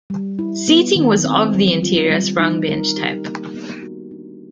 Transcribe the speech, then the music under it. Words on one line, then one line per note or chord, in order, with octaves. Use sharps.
Seating was of the interior sprung bench type.
G3
E4
B3
D#3
C4
G3
F4
G3
D#4
A#4
G4
A#3
B3
F#4
D4